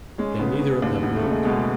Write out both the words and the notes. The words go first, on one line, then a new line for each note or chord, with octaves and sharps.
They neither of them moved.
G#3 C#4
C#3 B3
C#3
D#2
E1
A3
C#3
G#3
B2 G#3